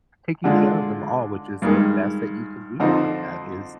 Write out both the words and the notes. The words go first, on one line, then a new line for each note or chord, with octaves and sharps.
taking care of them all, which is the best that you can do, and that is,
D3 G#3 D4 F4
G2 D#3 G#3
F2 D3 F3 C4 D#4